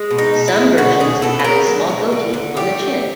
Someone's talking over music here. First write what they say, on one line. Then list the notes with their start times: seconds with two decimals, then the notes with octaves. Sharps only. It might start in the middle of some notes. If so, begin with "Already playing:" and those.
Some versions have a small goatee on the chin.
Already playing: G#3
0.11 B2
0.18 D#4
0.34 B2
0.48 E4
0.56 G#3
0.78 B2 F#4
1.00 B2 G#4
1.22 B2 A4
1.40 B4
1.45 G#3 A#4
1.67 F#3
1.90 F#3
2.12 D3
2.34 D3
2.57 A3 G4
2.79 F#3